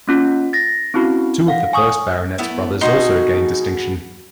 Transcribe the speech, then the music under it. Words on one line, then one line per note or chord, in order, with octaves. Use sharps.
Two of the first Baronet's brothers also gained distinction.
A#3 C#4 F4
A6 A#6
C4 C#4 E4 F#4
F5 F#5
G#5 C#6 D#6
A3 B3 E4
B2 D#4 F#4 G#4 C6